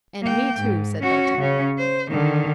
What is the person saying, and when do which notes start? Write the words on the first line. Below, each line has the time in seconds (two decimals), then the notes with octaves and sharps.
"And me, too!" said d'Artagnan.
0.22 A#3 G5
0.60 G#2
1.02 C#4 F#4
1.38 C#3 C#4
1.78 C5
2.10 D3 D#3